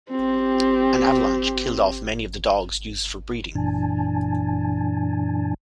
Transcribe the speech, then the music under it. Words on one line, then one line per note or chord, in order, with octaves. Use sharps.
An avalanche killed off many of the dogs used for breeding.
C4 G4
F#2 A#2 E3 D4 G#5 A5